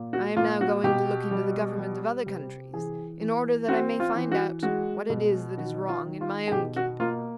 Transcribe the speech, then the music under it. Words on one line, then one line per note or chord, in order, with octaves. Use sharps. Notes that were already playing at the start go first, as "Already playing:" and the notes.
I am now going to look into the government of other countries in order that I may find out what it is that is wrong in my own kingdom.
Already playing: A#2
F#4
A#2 F4
F#4
B2 G4
G3
G3
C3
E3 G#4
E3
C4 F#4
F4
E3
F#4
G#3 F#4
B2
D#3 F#4
F4
D#3
F4
G#4
B2 G4
F#4
A#3 F4